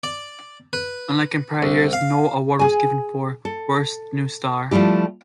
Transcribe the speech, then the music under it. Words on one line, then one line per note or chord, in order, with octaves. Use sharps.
Unlike in prior years, no award was given for Worst New Star.
D5
B4
C2
F5
G#4 G#5
A4
F3 G3 A3 E4 G4